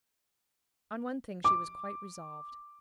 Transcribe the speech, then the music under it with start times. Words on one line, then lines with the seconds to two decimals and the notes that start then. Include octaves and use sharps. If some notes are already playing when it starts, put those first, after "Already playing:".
On one thing she was quite resolved.
1.44 D6